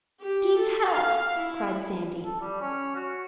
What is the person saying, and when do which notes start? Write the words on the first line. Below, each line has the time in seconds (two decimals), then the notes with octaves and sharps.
"Jean's hurt," cried Sandy.
0.22 G4
0.59 A4
0.90 F5
1.35 E4
2.25 A4
2.41 G3
2.61 C#4
2.95 F#4